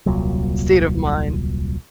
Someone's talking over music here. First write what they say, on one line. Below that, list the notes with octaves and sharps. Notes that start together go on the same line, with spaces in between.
state of mind.
D#1 C2 A#2 F#3